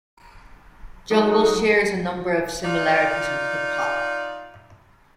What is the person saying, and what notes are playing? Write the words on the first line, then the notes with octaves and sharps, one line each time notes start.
Jungle shares a number of similarities with hip hop.
F#3 G#3 D#4
D#4 F4 D5